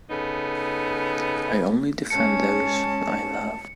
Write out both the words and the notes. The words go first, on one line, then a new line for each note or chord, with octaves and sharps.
I only defend those I love.
C#3 B3 D#4 A4
G#3 C#4 A5 C#7